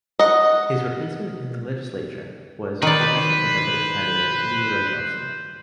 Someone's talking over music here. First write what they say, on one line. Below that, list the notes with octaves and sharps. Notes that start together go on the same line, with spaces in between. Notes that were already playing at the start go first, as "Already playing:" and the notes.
His replacement in the legislature was Progressive Conservative candidate LeRoy Johnson.
D#5 F#5
D#3 B4 C5 D5